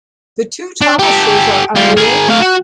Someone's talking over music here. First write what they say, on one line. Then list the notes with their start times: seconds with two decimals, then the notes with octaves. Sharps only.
The two Thomases are unrelated.
0.81 D4
0.99 G4 A4
1.75 G3 F4
1.97 G#4 A#4
2.29 A3 F5
2.41 F#4